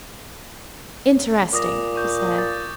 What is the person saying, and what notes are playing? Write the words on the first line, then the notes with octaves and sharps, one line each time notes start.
"Interesting," he said.
A#2 D6 D#6 A#6
C#6 G6
D6 A6